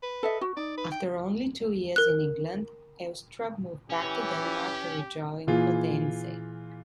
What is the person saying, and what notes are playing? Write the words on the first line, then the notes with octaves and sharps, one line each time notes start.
After only two years in England, Elstrup moved back to Denmark to rejoin Odense.
B4
A4 D#5 E5
F#4
D#4 D5
B4
G5
A#4 F#6
E3 C#4 G4
A#2 E3 F4 G#4